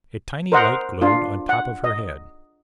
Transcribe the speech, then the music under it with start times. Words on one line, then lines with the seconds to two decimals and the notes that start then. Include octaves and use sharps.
A tiny light glowed on top of her head.
0.52 A#4 C5 D#5 F#5
1.02 D4 F4
1.49 F#5
1.84 D#5